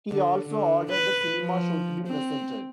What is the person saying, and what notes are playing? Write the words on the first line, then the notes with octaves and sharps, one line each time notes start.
He also ordered a cinema show to be presented.
D3
D3
B4
F3
C4